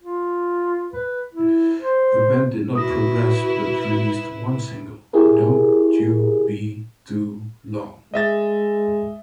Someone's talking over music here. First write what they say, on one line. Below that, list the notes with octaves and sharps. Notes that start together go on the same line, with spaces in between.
The band did not progress but released one single, "Don't You Be Too Long".
F4
B4
E4
C5
E4 F#4 B4 D#6 A#6
E4 G4 G#4 A#4
G#3 D#5 E5 A6